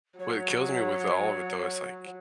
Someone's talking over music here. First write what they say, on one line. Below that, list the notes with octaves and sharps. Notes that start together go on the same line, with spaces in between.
What kills me with all of it, though, is like,
F#3 C#5
C#5